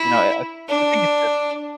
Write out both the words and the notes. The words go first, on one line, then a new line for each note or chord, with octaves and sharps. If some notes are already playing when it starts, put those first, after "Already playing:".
you know, I I I think it's different.
Already playing: E4
D4